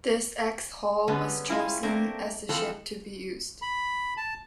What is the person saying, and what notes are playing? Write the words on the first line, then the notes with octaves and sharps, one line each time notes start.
The ex-"Hoel" was chosen as the ship to be used.
D3 G3 B3 C#4
G3 G#3 C#4 E4 F4
A3 A#3 C4 D4 A#4
E3 F3 C4 A4
B5
A5